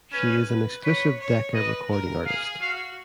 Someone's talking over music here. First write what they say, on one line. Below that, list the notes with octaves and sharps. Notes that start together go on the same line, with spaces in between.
She is an exclusive Decca recording artist.
C#4 B4
B4
B4 C#5
C#5
B4 D#5
A#4
G#4 F5
F#4 F5